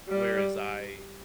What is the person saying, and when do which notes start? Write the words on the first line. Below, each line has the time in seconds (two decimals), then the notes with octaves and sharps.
whereas I
0.09 G3